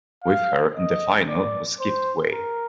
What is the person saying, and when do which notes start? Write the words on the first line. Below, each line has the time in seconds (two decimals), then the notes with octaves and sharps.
With her in the final was Gift Gwe.
0.25 F5
0.76 D#5
1.29 D5
1.80 C5
2.32 A#4